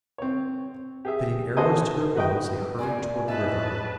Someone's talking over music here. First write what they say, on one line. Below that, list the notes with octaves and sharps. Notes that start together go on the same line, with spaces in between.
Fitting arrows to their bows they hurried toward the river.
C4 C#5
G4 G#4 E5
F#4 A4 B4 C5 D#5 G#5
F#4 B4 D#5 G5
A2 A#4 D5 G#5
A2 B4 D#5 E5 A5